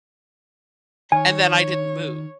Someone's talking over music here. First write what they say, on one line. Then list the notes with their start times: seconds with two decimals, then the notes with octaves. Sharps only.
and then I didn't move.
1.12 D#3 C#5 G#5